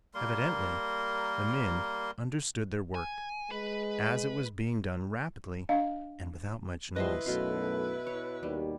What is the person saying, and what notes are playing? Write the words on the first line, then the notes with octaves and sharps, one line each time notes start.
Evidently the men understood their work, as it was being done rapidly and without much noise.
G3 A#3 A#4 C6
G#5
G#3 B4
D4 D#5 F5
G#2 F3 G3 E4 B4 D#5 E5 C6
B1 F#2 B2 A3 F5 C6
C#5
D#2 G3